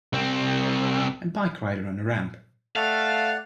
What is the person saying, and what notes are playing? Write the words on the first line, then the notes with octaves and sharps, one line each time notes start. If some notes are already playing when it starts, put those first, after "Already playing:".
A bike rider on a ramp.
C2 C4
A3 D5 F5 F#5